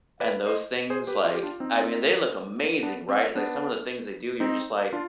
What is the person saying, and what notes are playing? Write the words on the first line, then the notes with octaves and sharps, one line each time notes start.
and those things, like, I mean, they look amazing, right, like, some of the things they do, you're just like,
B4 D5
C5 D#5
G#4 C5
G4 B4
F4 G#4
G4
D4 F4
C4 D#4
B3 D4
C4
B3 D4
C4 D#4
D4 F4